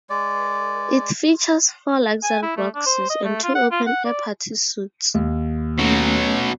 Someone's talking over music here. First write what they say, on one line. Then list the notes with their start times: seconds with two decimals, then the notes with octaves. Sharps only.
It features four luxury boxes and two open-air party suites.
0.10 G#3 D5
2.24 G#5
2.43 E4
2.57 A3
2.75 D4
2.86 C5
3.10 D#5
3.24 A3
3.43 F4
3.55 F#5
3.72 F4
3.87 F#5
4.05 D5
5.14 D#2
5.79 B2 F#3 A3 C#4